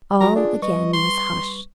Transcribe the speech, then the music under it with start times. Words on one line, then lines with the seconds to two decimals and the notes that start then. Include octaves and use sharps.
All again was hushed.
0.21 F#3 F#4 A#5
0.36 D4 F4 G#4 D5
0.62 G3 B4 D#5 C#6
0.93 C6